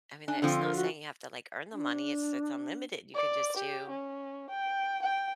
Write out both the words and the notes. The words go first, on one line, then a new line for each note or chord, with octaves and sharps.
I mean, that it's not saying you have to, like, earn the money, it's it's unlimited you could just do
D4 G#5
D3 F3 C4 F4
A#4
F#4
D4
D5
G4
C#4
G5
G5